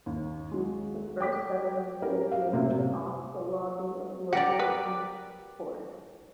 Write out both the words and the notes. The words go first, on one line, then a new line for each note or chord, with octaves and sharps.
The first settlers lived mainly off the logging of local beech forests.
D#2
F#3 G#3
G5 D6 B6
C#4 G4 A#4
F5
F#2 A2 C3 A#3 E5
G4 A#4 D5 F#5
B4